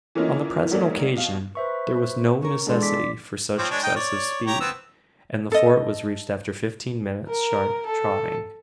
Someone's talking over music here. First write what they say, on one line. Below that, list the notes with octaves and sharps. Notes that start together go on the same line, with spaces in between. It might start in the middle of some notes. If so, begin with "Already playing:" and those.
On the present occasion there was no necessity for such excessive speed; and the Fort was reached after fifteen minutes' sharp trotting.
E3 A3 A#3 C#4 D#4 F4
G#2 F#3 G3 A3 A#3
B2 F5
B4 C5 E5 C#6
C#4 A#4 C#6
E3 G#3 B3 D4 A4 D5 C6
D5 D6 B6
F3 C4 C#5
G#3 D4 C#5
D#4 G5
C#5 D5
G4 C#5 A#5
B3 C4 E6
A4 D#5
A#4
A4